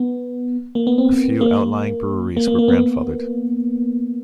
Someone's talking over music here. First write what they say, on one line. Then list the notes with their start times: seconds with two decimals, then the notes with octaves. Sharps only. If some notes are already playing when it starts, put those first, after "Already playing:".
A few outlying breweries were grandfathered.
Already playing: B3
0.75 A#3
0.87 B3
0.98 C4
1.41 A#3
2.37 A#3
2.47 A#3
2.59 A#3
2.68 B3